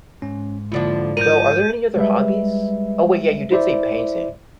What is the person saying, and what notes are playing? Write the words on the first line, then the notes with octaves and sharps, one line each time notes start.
though are there any other hobbies? Oh, wait, yeah, you did say painting.
G#2 C#4
D#2 D3 F3 E4 F4 D5
F3 A#4 G6 D#7
G3 G#3 B4 E5
E4 C5 D5 E5